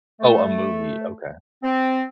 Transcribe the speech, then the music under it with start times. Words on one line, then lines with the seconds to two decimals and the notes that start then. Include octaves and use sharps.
Oh, a movie, okay.
0.21 A3
1.63 C4